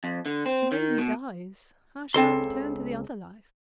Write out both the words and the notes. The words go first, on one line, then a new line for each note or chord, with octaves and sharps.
And when he dies, how shall I return to the other life?
F2
D3
C4
D#3
B2
C#2 C4 A4 C6